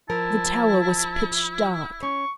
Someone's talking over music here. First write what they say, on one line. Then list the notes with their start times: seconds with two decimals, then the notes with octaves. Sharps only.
The tower was pitch dark.
0.10 F3 E4 A#4 A5
2.03 C#4 C#6